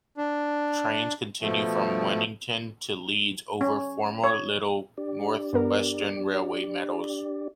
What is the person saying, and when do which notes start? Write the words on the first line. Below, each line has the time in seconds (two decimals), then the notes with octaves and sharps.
Trains continue from Wennington to Leeds over former "little" North Western Railway metals.
0.17 D4
1.42 B2 F3 A3
3.61 C#4
4.24 C#5
4.98 D4 G4 D5
5.53 G2 B3 A#4